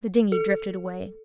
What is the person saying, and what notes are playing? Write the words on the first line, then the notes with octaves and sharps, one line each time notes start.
The dinghy drifted away.
A4